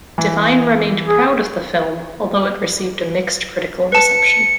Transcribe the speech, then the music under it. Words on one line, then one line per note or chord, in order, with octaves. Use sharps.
Divine remained proud of the film, although it received a mixed critical reception.
E3
G#4
B4 A5 C#7